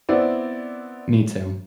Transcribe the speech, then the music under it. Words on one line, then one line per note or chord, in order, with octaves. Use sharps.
me too.
B3 C4 E4 D5